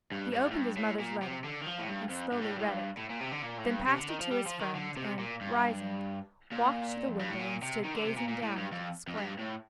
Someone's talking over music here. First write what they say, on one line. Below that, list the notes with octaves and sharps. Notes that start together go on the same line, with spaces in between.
He opened his mother's letter and slowly read it, then passed it to his friend and, rising, walked to the window and stood gazing down into the square.
G2
G2
A2
G2
A2
A#2
C3
D3
D#3
F3
A2
G2
F2
G2
A2
G2
A2
G2
A2
A#2
C3
D3
A#2
A2
G2
C3
D3
D#3
F3
G3
F3
D#3
D3
C3
A#2
G2
A#2
F2
G2
A2
A#2
C3
D#3
D3
C3
A#2
A#2
A2
G2
F2
F2
G2
A2